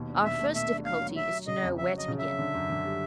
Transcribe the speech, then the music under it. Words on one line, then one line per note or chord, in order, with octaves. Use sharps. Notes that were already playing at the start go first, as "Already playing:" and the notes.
Our first difficulty is to know where to begin.
Already playing: D#2 B2
D4
B2 E5
A3
B2 E5
D4
D4 F5
F#3
F#3 E5
F#3
C#3 D#5
F2
F2 E5
F#3
D#5
C#3
E5
F#3
D3
F#2
D3
G3